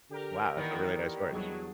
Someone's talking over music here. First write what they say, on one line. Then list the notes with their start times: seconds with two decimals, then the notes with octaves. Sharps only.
"Wow, that's a really nice horse."
0.10 D3 G4 A#4
0.57 D#3 E3 A#3 B3 D5 F#5
1.32 E2 F#3 G3 D4 G#4